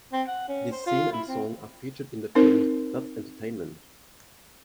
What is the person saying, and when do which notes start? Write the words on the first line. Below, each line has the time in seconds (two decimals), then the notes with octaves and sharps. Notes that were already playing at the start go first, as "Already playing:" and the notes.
This scene and song are featured in the film That's Entertainment!
0.13 C4
0.28 F#5
0.48 C#4
0.72 C5
0.86 F4
1.12 E4
1.27 C4
2.35 C4 D#4 A#4 C5